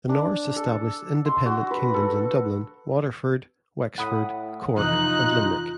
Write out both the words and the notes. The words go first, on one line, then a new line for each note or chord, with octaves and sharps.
The Norse established independent kingdoms in Dublin, Waterford, Wexford, Cork and Limerick.
D4
A4
C6
F#4
B4
A4
A2 F#5 B5 D#6
F2 C3 E3 D#4 F4 F#6